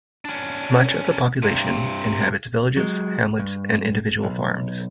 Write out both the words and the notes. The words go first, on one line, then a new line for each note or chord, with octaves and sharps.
Much of the population inhabits villages, hamlets and individual farms.
C#4 D4
G2 C3
F#3 G#3
G2
B1